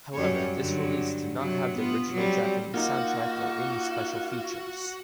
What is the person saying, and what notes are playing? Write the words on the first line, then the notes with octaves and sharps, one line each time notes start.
However, this release did not have the original Japanese soundtrack or any special features.
F#2 G3 C#5
G2 D3 F#3
C3 F#3
B3 F4
F#3 G3 C4
A#3 D#4 F4 F#4